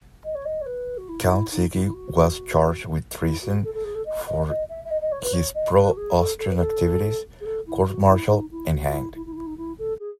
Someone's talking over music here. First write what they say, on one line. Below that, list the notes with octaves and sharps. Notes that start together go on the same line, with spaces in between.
Count Zichy was charged with treason for his pro-Austrian activities, court-martialed, and hanged.
D#5
C#5
D#5
C#5
B4
F#4
E4
D#4
E4
D#4
E4
E4
F#4
E4
F#4
A4
A4
G#4
A4
D#5
D#5
D#5
E5
E5
D#5
D#5
C#5
B4
C#5
D#5
B4
F#4
G#4
A4
A4
B4
A4
G#4
A4
E4
F#4
E4
D#4
E4
F#4
F#4
E4
E4
E4
D#4
E4
D#4
E4
A4
G#4